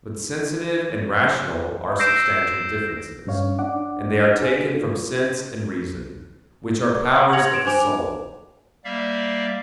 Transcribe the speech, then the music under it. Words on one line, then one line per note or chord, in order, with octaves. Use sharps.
But sensitive and rational are substantial differences; and they are taken from sense and reason, which are powers of the soul.
E6 G6 A#6 C7 D7 E7
G2 C#4 C#5 F5
D4 F#5 D6
D4 F#4 G#4
F4
F#5 C6
G#6 A#6 C#7 F7 F#7
G#6 D7 E7
D4 C5 G#5 D6 F7
G3 A#3 D5 E5 F5